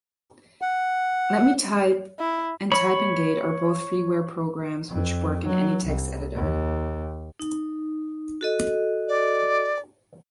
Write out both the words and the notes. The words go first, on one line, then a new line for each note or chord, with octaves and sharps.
Letmetype and Typingaid are both freeware programs which work in any text editor.
F#5
E4
C#5 B5
F2
F#3
C2
D#2
D#4
F#4 A4 D#5
D5